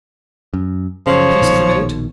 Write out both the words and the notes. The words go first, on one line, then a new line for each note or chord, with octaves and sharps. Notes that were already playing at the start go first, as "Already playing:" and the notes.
Pieces of eight!
F#2
F#2 C#3 F3 C#5
A#1 B2 D#3